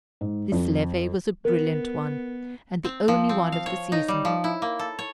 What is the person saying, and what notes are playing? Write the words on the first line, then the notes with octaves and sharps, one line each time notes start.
This levee was a brilliant one, and the only one of the season.
G#2
F2
B3 A#4
C4
F3
C4
F5
C#5
D#4
G3
F3
E4
A#3
A4
C#5